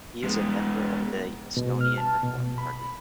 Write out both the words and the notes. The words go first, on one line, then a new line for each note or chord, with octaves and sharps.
He is a member of the Estonian Reform Party.
G#3 B3
B2
F6
A5
B2
B5